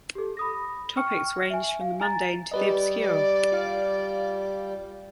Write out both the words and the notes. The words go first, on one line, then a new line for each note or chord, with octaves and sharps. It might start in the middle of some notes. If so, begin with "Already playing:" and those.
Topics ranged from the mundane to the obscure.
G4 A4
B5 D#6 A#6
G5 C#6 F6 C#7
E5 G#5
F5
G#5 A#5 A6
G3 G4 B4 D5 D#5
F4 F5